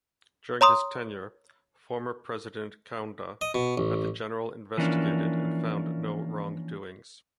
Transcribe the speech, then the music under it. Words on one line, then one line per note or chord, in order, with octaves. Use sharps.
During his tenure, former president Kaunda had the General investigated and found no wrongdoings.
C#5 A#5 C6 D#6
D#5
B2
A1
E3 F3 A#3 C#4 D4